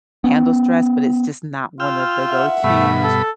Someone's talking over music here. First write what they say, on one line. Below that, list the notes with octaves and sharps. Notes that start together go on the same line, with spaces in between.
handle stress, but it's just not one of the go-to's
B3 C#4
F4 G5 E6 F6
E5 F#5
G2 B2 A3 B5
A4